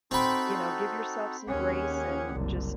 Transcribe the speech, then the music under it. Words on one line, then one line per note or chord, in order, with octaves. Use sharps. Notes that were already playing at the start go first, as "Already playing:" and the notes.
you know, give yourself some grace and just
C4 D#4 F#4 A4 B5
D#2 C#4 G4 G#4 F#5
F#1 C2